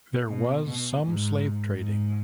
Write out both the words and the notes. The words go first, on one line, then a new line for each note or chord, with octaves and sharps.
There was some slave trading.
B2
B2
G#2
G#2